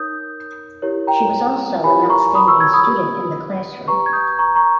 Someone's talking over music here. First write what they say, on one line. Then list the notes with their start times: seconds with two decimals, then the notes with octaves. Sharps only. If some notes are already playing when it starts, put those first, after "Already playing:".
She was also an outstanding student in the classroom.
Already playing: D#4 A#4 C#5 D#6 G6
0.82 E4 G4 A#4 C#5
1.07 G5 A#5
1.84 E4 G4 A#4 C#5 G#5 B5
2.09 A#5 C#6
2.35 B5 D#6
2.48 C#6 E6
2.60 E6 G#6
2.73 B5 D#6
2.86 G4 B4
3.88 G4 B4 A#5 C#6
4.06 G#6
4.13 D#6 G6
4.39 A#5 C#6
4.56 A#5 C#6